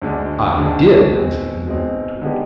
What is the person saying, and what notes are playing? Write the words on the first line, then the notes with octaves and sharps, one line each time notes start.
"I did," was the angry retort.
D2 D3 G#3 D4
D2 D3 G#3 D4
B2 G#3 C4 D#4
B2 G#3 C4 D#4
D3 G#3 B3 D#4 G4